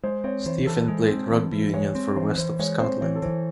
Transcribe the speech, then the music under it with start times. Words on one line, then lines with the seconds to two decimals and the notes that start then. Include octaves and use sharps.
Stephen played rugby union for West of Scotland.
0.04 G#3 C5
0.24 C4 C#5
0.46 E3 C5
0.67 E3 A4
0.88 G#3
1.09 C4
1.31 E3
1.52 E3
1.74 G#3 C#5
1.95 C4
2.16 E3 C5
2.38 E3 C5
2.59 G#3 C#5
2.80 C4 C5
3.01 E3 C#5
3.15 A4
3.22 E3 C5